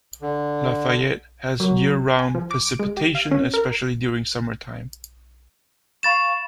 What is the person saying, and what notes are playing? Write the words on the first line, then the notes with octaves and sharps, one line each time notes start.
Lafayette has year-round precipitation, especially during summertime.
D3
F#3
G#5
F3
D6
D7
G#3
G4
F5
C#4
A#4
F5 B5 C#6 A6 E7